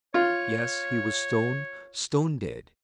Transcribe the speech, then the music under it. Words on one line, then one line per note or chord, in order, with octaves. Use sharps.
Yes, he was stone, stone dead.
F4 C#5